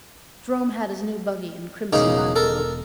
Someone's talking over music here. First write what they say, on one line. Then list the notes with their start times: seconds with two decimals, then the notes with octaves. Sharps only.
Jerome had his new buggy and crimson lap robe.
1.93 E1 C#3 A#3 D#4
2.36 A4 A#4